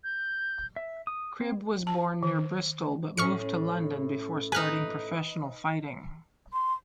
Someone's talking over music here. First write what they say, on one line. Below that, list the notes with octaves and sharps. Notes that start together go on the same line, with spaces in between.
Cribb was born near Bristol but moved to London before starting professional fighting.
G6
E5
D#6
C4
A5
D#3
A2 C#4 C#6 F6 C#7
D#4 B4 G#5 F6
C6